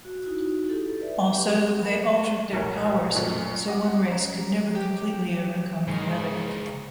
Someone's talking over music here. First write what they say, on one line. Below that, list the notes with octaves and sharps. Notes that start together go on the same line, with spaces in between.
Also they altered their powers so one race could never completely overcome the other.
F#4
D#4 E4 F#4
G4 A4
B4 D5 E5
G4
A#4 F#5 B5
D#1 B1 A#4 C#5
F#2 A#2 A3
D#5 F#5 D6
C#4 A#5
F#3 G4
G#2 C#3 A#4